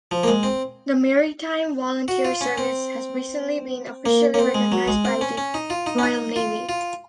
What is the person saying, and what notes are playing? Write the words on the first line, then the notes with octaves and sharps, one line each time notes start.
The Maritime Volunteer Service has recently been officially recognised by the Royal Navy.
F3
A#3
G#3
C4
F#4
F4
C#4
C4
A#3
A#3
C4
G#3
F#3
G#3
C4
C#4
C#4
D#4
F4
D#4
C#4
D#4
F4
F4